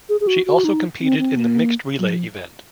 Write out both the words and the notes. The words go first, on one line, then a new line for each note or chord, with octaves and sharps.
She also competed in the mixed relay event.
G#4
G#4
F#4
F#4
D#4
C4
C4
A#3
F#3
F3